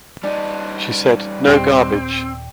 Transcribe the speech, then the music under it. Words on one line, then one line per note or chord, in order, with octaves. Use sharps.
She said, No garbage.
G3 D#4 D5 A5
D#1 C4 G4